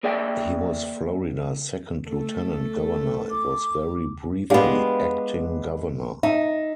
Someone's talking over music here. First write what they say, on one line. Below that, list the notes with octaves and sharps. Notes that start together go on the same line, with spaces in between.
He was Florida's second Lieutenant Governor and was very briefly, acting Governor.
A#3 G#4 D5 E5 G5
A3 A4
D6
G#3 B3 D4 G4 F5
D#4 E5